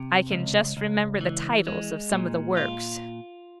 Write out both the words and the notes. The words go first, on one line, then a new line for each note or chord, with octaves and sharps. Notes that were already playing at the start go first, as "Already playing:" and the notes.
I can just remember the titles of some of the works.
Already playing: C3
C#2
C#2
E3
G#3
A#2
F4